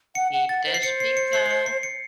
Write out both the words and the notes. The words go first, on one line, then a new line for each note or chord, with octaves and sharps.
Deep dish pizza,
F#5 C#7
F#5
F#5 A6
C5
C7
C5 C#7
C7
C#7
C7
C7
C#7
C7
C#7